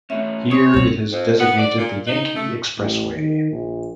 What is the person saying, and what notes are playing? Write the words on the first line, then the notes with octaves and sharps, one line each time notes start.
Here it is designated the Yankee Expressway.
A3 C#4 E5
G#3 C#5 D#6
B2 F#3 C4
F2
B3
D5
A#2
D#4
A3
A1
D#3
A#1